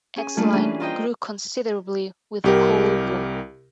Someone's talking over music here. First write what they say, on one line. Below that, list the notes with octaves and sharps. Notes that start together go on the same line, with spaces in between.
Exline grew considerably with the coal boom.
C#4 G#4 G#5
G3 A3 A#3 D4 F4 G#4
E3 C#4 D4 G#4
F4 A#4 C5 D#5 G5
C2 G4 A#4